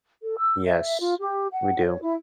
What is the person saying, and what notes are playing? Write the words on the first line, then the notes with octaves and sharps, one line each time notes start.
Yes. We do.
A4
E6
E5
F4
G4
F#5
C#5
E4